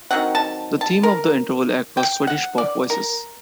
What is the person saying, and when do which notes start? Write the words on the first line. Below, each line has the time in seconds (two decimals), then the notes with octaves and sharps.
The theme of the interval act was "Swedish Pop Voices".
0.11 D#3 F#3 C4 F#5
0.35 A5
0.81 A5
1.03 A#4
1.97 G5
2.27 F#5
2.58 D5
2.90 A#4